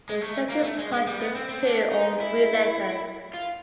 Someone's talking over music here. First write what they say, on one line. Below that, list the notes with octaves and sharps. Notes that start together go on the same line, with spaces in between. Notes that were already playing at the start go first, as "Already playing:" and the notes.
The second part is two or three letters.
G#3
A3
A#3
A3
G#3
G#3
G3
B3
C4
C4
D4
D#4
E4
F4